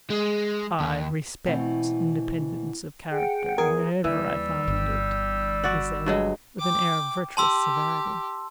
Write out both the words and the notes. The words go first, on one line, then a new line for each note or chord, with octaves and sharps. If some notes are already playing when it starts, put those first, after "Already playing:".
"I respect independence of character wherever I find it," he said, with an air of virtuous severity.
G#3
D#2
B2 E3 A3 C4
G#4 F#5 G5
E2 G#4 A#4
D#2 E3 G3 E6
G1 D3
F#4 D5 F#5
G2 F#3 G#3
G5 D6
G4 A5 C6 E6